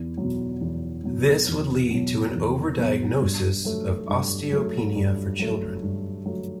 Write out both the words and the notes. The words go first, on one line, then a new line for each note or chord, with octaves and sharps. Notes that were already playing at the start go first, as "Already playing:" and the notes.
This would lead to an over-diagnosis of osteopenia for children.
Already playing: E2
B2 F#3
E2
B2 F#3
E2
B2 F#3
E2
B2 F#3
G2
F#3 A3
G2
F#3 A3
G2
F#3 A3
G2
F#3 A3